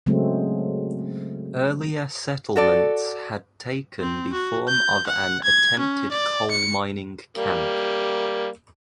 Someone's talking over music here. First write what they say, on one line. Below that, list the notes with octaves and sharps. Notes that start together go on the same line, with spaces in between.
Earlier settlements had taken the form of an attempted coal mining camp.
C#3 F#3 G#3 A3 C4
F#4 A4 D5
C4
F#4
G6
F#5
G#6
C#4
D5
C#7
G3 A#3